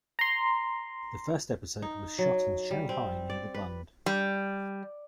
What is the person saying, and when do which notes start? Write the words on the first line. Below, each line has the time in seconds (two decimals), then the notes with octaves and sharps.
The first episode was shot in Shanghai near The Bund.
0.19 A#5 C6
1.82 D#4
2.19 F#3
2.71 G3
2.89 C4
3.30 D5
3.54 B4
4.06 G3